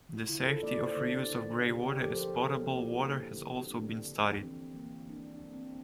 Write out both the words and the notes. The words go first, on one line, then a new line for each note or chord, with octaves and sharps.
The safety of reuse of greywater as potable water has also been studied.
F4
D3 E4
A4
A#3 D5
C5
D3 A4
D3
C3 G4
G4
F3 A4
C5
A#4
F3 A4
G4
A#3
E4
A#3 D4
D3
C4
A#3 D4
D3
E3 C4
A#3
A#3 D4
D4
A#3
C4